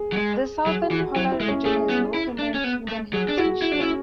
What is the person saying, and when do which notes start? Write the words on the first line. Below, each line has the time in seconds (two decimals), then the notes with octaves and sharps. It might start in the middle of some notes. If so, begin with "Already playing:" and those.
The southern polar region has no permanent human habitation.
Already playing: G#4
0.12 F#3
0.17 G#3
0.66 F#3 G#4
0.83 F#4
0.91 E3
1.00 F#4
1.16 F#3 E4
1.32 E4
1.41 G#3
1.48 C#4
1.65 A3 G#4
1.89 B3
2.14 E4
2.39 D4
2.54 C#4
2.64 B3
2.89 A3
3.13 F#3 G#4
3.29 D4
3.37 E4 F#4
3.62 E4
3.72 D4
3.79 C#4 E4